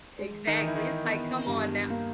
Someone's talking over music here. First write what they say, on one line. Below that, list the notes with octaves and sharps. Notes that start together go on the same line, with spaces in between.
Exactly, it's like, "Come on now"
G#3
D#3 D#4
E3
E4
D#3 D#4
B3
G2
A#3